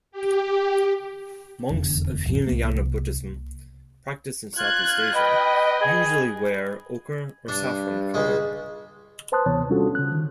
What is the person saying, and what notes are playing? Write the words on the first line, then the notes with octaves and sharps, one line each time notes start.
Monks of Hinayana Buddhism, practiced in Southeast Asia, usually wear ochre or saffron color.
G4
F1 E2 D3
D#1 G#1 F3
C2 A#3
F4 F#6 G#6
B4 D#5 G5
G#4
G2 D4
C#2 G#3
B4 C5 A5 C6 D#6 F#6
D#2 C3 E3 B3 C#5 A5
G3 C#4 D4 F4 F#4 A4
C#3 F#6
D#3